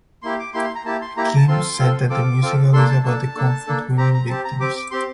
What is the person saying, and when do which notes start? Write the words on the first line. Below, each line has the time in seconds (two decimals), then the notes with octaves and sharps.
Kim said that the musical is about the comfort women victims.
0.23 A#3 E4 G4 C6
0.39 D6
0.54 A#3 E4 G4 C6
0.65 C6
0.75 A#5
0.85 A#3 E4 G4 A5
1.02 C6
1.17 A#3 E4 G4 A#5
1.28 A#5
1.37 A5
1.48 C4 F4 A4 C6
1.79 C4 F4 A4
2.10 C4 F4 A4 D6
2.42 C4 F4 A4
2.73 A#3 D4 A4 C6
2.89 A5
3.04 A#3 D4 A4 A5
3.36 A#3 D4 A4
3.67 A#3 D4 A4
3.98 C4 G4 A#5
4.14 A#5
4.29 C4 G4 A5
4.45 A#5
4.60 C4 G4 D6
4.76 D6
4.91 C4 G4 C6